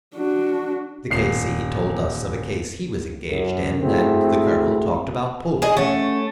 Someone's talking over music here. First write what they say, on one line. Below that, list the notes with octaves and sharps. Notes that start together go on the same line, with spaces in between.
The K.C. told us of a case he was engaged in, and the Colonel talked about polo.
D4 F#4
D#1 C7
F#2
A3 C4 E4 F#4 G#4
G#4 D#5
A3 C#4 F#5